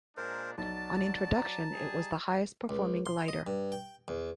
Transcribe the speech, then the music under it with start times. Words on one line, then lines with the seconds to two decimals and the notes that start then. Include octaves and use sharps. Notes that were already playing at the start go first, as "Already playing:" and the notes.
On introduction it was the highest performing glider.
0.17 A#2 G#3 D4 A#4 C5
0.58 B1 F#3 D5 A5
1.37 A#5
1.73 G3 D#4 G#4
2.69 C#2
3.06 C6
3.28 D#5
3.47 G2
3.72 G5
4.08 E2